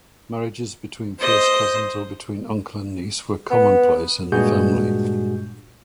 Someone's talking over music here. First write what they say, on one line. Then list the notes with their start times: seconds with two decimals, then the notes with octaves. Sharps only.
Marriages between first cousins, or between uncle and niece, were commonplace in the family.
1.19 C5 D#5
3.50 B3
4.32 G2 A#2 G#3 F#4 G#4 G6